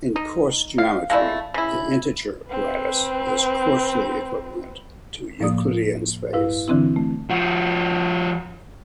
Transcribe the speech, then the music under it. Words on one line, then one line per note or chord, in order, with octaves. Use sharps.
In coarse geometry, the integer lattice is coarsely equivalent to Euclidean space.
D#4
F5
G#3 A3 E4 D5 F5
C#3 E4
C4 B4
A2 F3 A#3 D5 D#6
G2 E4 B4 F5
D3 E3 C4 D4 E4
A3
F3 F#4